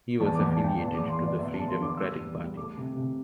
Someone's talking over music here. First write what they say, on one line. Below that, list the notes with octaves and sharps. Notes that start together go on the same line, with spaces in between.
He was affiliated to the Free Democratic Party.
E2 A5
E2 D6
A5
E2 G5
E2 A5
E2 D6
C6
E2
D5
E2 E5
E2 A5
C6
D3 D6
G3 E6
E2
G3
A3 D6
C3
C3